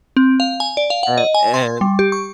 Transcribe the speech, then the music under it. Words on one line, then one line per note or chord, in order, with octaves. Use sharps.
a and
C4
F5
G#5
D5
F5
F#5
D#5
G#5
C6
G3
G4
C#6